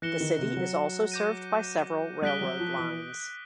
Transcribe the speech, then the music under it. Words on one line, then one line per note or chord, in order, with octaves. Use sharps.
The city is also served by several railroad lines.
E3 F#6 A#6 C#7 E7 G7
D#3
C3
F#3
D6 G6 A#6 D#7
G3 D#6 F#6 B6 D7 G7
F#3
F3
E3